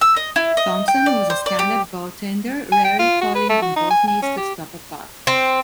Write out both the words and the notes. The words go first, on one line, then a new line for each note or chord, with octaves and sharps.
Thompson was a stand-up goaltender, rarely falling on both knees to stop a puck.
E6
D#5
E4
D#5
G5
D5
C5
D5
G4
G#5
G5
F4
F#4
B4
A3
F#4
D#4
G#5
G#5
C#4
G4
C4